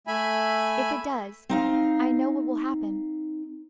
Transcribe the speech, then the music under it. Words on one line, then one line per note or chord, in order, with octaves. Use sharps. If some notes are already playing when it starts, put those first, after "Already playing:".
If it does, I know what will happen.
A3 E5 G#5 B5
C4 D#4 F5